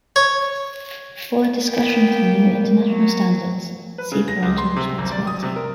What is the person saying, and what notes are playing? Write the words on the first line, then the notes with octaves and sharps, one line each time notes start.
For a discussion of the new international standards, see parental responsibility.
C#5
A#3 B3 G5
F#3
B4
C#3
A#6
C#2
C6
C3
G#1
D5
D#6
C3
A#4